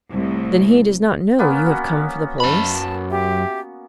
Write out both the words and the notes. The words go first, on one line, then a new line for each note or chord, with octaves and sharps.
"Then he does not know you have come for the police?"
C2 A2
A#3 B3 C#4
F#4
F#2 A5 B5
G4 E5